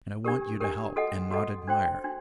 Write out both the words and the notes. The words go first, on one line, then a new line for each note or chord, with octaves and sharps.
And I want you to help, and not admire.
D4 G4 A#4
D4 G4 A#4
F#4 A4 D#5 F#5
F#4 A4 D#5 F#5
D4 F#4 C5 G5 C6
D4 F#4